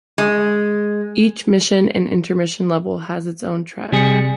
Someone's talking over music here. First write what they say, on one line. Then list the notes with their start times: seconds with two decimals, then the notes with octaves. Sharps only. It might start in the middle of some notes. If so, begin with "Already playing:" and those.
Each mission and intermission level has its own track.
0.18 G#3
3.93 C3 G3 G#4 C#7